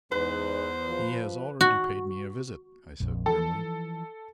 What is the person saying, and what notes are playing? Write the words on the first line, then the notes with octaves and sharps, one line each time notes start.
"He has already paid me a visit," I said grimly.
E2 G#2 B4 C5
F3
F#4
A#1 F2
E3 F3 A4